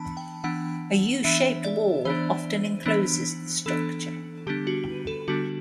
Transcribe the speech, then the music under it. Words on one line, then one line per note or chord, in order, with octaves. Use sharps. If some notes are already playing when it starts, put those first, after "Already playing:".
A U-shaped wall often encloses the structure.
Already playing: E3 B3 D4 A5 B5
G5
E3 B3 D4 F#5
E3 B3 D4 E5
D5
E3 B3 D4 C5
E3 B3 D4
E3 B3 D4 A4
D3 G3 B3 D4 G4
F#4
A4
D3 G3 B3 D4 F#4